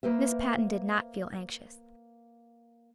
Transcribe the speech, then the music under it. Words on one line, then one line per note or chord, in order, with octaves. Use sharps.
Miss Patten did not feel anxious.
A#3 B4 C5 E5